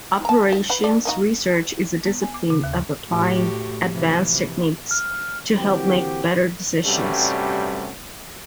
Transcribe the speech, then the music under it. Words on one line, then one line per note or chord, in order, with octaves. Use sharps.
Operations research is a discipline of applying advanced techniques to help make better decisions.
A5 A#5
D#3
B4 F#5 B5
G3 A4 D5
A#3 D#4 F#4
B3
G#5
D6
C#3
D#2
A2 F#4 G4
C3 E3 F3
F6
D3 E3 A#3 C4 F#4 G4
G2 C3 G3 A3 C#4 F#4